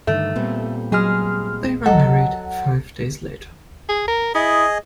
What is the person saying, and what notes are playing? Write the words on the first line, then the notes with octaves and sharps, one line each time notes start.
They were married five days later.
G2 D3 D#3 A3
A#2 G3 B3 C4
F#3 G#3 G#4 F6
F#3 A4 D#5 F#5
G#4
A#4
E4 G#4 D#5